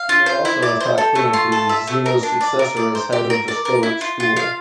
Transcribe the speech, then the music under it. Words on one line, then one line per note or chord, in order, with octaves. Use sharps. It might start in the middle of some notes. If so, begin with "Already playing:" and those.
He may also have taught Cleanthes, Zeno's successor as head of the Stoic school.
Already playing: F5
F4
C5
E4
D5
C5
A4
A3
F4
A4
E5
A3
A#4
D4
D5
A#4
D5
C5
G4
A#4
D5
A#4
E4
F4
F4
F5